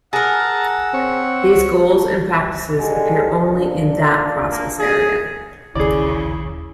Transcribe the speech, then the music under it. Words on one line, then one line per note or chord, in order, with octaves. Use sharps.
These goals and practices appear only in that process area.
G#4 A#4 F#5 A5 A#5 E6
C4 C#5
D3 G3 G#3
A#2 D4
A#3
G#4
E1 A#1 D#2 C#3 E4 G#4 D5